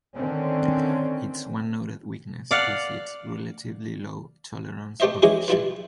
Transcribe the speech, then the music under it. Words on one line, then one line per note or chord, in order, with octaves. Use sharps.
Its one noted weakness is its relatively low tolerance of shade.
D3 D#3 C4 C#4
D5 F5 F#5
A3 C4 G4 C5 D#5 E5
E3 G#3 C#4 E4 G4 G#4
G3 E4 F4 B4